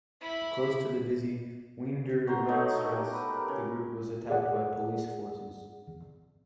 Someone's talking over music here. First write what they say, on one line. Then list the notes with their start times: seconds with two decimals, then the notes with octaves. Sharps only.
Close to the busy "Weender Landstrasse" the group was attacked by police forces.
0.21 E4 B5
2.27 F#4 C5 A#5
2.48 B2 F#3 A3 D#4
2.91 G4
3.13 B4
3.33 A#4
3.48 C#3
4.30 G#4 D5 F#5